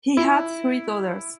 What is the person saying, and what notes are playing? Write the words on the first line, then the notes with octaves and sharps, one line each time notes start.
He had three daughters.
E4